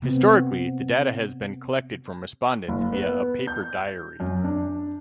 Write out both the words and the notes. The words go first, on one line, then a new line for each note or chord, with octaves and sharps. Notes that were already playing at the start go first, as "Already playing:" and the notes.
Historically, the data has been collected from respondents via a paper diary.
C3 B3 C4
F#1
B3
G6
F#2
D4